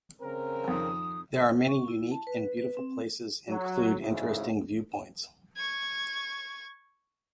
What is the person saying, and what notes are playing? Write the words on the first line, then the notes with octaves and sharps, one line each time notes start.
There are many unique and beautiful places include interesting viewpoints.
C#3 C4 A#4
F2 D#3 D#6
C#6
E4
A5
B4
B4
C4
F#3
G#1 G#2 C#3 E4
C#6 G#6